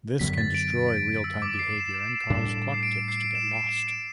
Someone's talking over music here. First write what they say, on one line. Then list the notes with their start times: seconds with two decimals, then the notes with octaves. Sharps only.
This can destroy real-time behavior and cause clock ticks to get lost.
0.19 F#2 D3 F#3 B3 B6
0.38 A6
0.54 D7
1.24 E6
1.42 D6
1.59 C7
1.78 E7
2.30 A2 G3 D4
2.74 C7
2.83 D7
3.08 C7
3.35 E7
3.51 D7
3.69 E7
3.88 D7